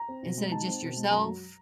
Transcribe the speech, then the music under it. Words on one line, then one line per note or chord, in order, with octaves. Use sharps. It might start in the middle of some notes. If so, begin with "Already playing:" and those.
instead of just yourself
Already playing: A#5
C4
B2
G#3
D#4 A5
C4
B2
G#3
F#2 A#5
F#3